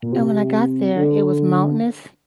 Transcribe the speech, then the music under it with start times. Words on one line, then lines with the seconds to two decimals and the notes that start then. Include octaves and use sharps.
and when I got there, it was mountainous,
0.02 A#2
0.12 C3
0.96 D3